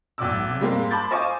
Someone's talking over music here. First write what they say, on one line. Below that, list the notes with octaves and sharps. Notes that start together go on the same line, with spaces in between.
Oh no.
B1 D5 D6 E6
G3 G#3 A#3 C4
A5 B5 C6 D6 G6 A6
C5 D#5 F5 G#5 C#6 D6